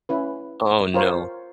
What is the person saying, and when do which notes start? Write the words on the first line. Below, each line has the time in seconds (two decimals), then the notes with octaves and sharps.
Oh, no.
0.09 C#4 E4 B4
0.94 F4 A#4 C5 C#5